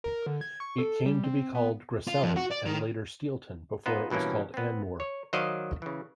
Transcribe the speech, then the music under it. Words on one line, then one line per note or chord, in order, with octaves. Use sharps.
It came to be called Grasselli, and later Steelton, before it was called Anmoore.
A#4
D3
G#6
C#6
A4
G3
C4
B3
F4
F2
F#4
D5
D#3
B3 D#4 F4 C5
G2 B2 E3 A#3 C#4
B3 C4
C#5
D#3 F#3 C5 D5 D#5 F5
C#3 E3